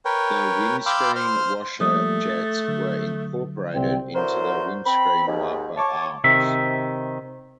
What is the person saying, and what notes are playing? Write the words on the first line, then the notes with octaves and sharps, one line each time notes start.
The windscreen washer jets were incorporated into the windscreen wiper arms.
A#4 B4 C#5 G5
F5 G5 B5 C6 D6 E6
C5 C6 F6
F3 G3 A3 A#3 D#6
A6
D3 F#3
C2 C4 G5
D3 F#3 E4 F#4 A#4 C5
C4 B5
D#2 G#2
C#5 A5 C#6 D6
C3 D#3 E5